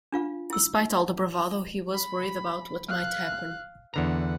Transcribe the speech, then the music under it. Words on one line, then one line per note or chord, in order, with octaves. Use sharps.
Despite all the bravado he was worried about what might happen.
D4 F4 F5
E4 E6
B5
F5 F#6
E2 D3 B4 F#5 A#5